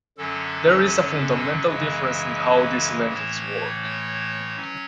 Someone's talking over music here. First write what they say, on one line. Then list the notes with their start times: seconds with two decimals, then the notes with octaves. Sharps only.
There is a fundamental difference in how a diesel engine works.
0.18 F#2 D3 F#3 C#4 A4
1.64 F#2 C#3 E3 G#3 B4
3.10 A2 E3 A3 C#5
3.83 C#5
4.56 F#3 C#4